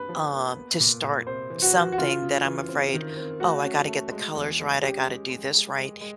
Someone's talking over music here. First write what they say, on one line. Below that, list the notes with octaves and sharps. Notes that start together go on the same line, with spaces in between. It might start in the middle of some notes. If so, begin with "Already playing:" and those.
um, to start something that I'm afraid, "Oh, I gotta get the colors right. I gotta do this right."
Already playing: G2 A#3 B4
F3
A#3
B3
A#2
A#2
C3 C5
E3
F#4
E3
F#4
C#3 F4
C#3
E3
C4
D#3
C4
A3 F#4
C#4
A3
G#3
E2
G#3
C#4 G4
G#3
G#3
G#3
G#3
G#3